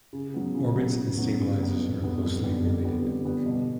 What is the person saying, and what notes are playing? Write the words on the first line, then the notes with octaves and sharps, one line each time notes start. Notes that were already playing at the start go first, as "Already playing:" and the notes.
Orbits and stabilizers are closely related.
C#3
F#3 B3
C#3
F#3 B3
C#3
F#3 B3
C#3
F#3 B3
F2
D3 G3 B3
F2
D3 G3 B3
F2
D3 G3 B3
F2
D3 G3 B3
B2